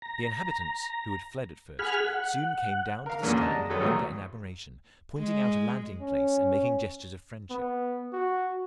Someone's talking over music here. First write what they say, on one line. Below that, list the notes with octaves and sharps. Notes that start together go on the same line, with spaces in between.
The inhabitants, who had fled at first, soon came down to the strand in wonder and admiration, pointing out a landing-place, and making gestures of friendship.
A#5
G#4 F#5 G#5 B5 F6
F#5
A#4 F5
E2 A#2 D3 G3 A#3 C#4
G#3 D4 D#5 A5 A#5
D#3 F#3 B3 A4 B4 C#5
C#2 A#2 D#3 E3 F#3 A3
G#3
C#4
B3
F#4